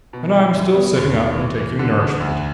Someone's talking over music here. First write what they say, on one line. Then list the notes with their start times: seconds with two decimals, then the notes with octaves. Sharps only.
And I'm still sitting up and taking nourishment.
0.13 B2
0.33 E4
0.54 F#2
0.75 B3
0.96 D#2
1.16 A3
1.38 E3
1.58 E3
1.79 D3
2.00 D3
2.20 D2